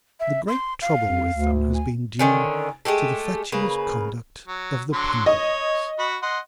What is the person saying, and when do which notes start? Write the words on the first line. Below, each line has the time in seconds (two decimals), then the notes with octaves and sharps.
The great trouble with them has been due to the fatuous conduct of the penguins.
0.20 E5
0.48 C6
0.82 F5
1.03 F2
1.34 D2
1.74 G#5
2.19 D3 D#3 C#4
2.85 G#3 A3 G4 A4
3.52 C#3 A#3 B4
4.48 F#3
4.93 D3 F#3 C6
5.26 C#5 D#5
5.99 F#4 B5
6.22 D#5 F#5 C6